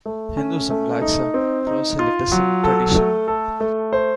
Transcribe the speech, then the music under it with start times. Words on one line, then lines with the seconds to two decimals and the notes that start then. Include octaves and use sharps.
Hinduism lacks a proselytism tradition.
0.06 A3
0.37 C#4
0.70 A3
1.02 D#4
1.34 C4
1.67 D#4
1.99 F4
2.32 F#3
2.64 A4
2.95 A3
3.28 A4
3.60 A3
3.93 C5